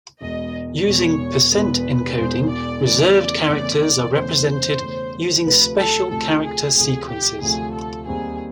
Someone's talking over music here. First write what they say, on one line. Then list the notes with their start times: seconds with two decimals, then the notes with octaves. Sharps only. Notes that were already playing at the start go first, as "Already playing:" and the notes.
Using percent-encoding, reserved characters are represented using special character sequences.
0.21 E1 E2 B2 G#3 D#5
0.86 E1 E2 B2 G#3 C#5
1.52 E1 E2 B2 G#3 B4
2.17 E1 E2 B2 G#3 C5
2.50 D5
2.83 E2 C#3 E3 A3 D5
3.49 E2 C#3 E3 A3 D5
4.14 E2 C#3 E3 A3 C5
4.79 E2 C#3 E3 A3
5.45 D2 C3 F3 A3 B4
5.78 A4
6.11 D2 C3 F3 A3 A4
6.43 G#4
6.77 D2 C3 F3 A3 G#4
7.09 G4
7.41 D2 C3 F3 A3 G#4
7.74 A4
8.07 D#2 D#3 G3 C4 G#4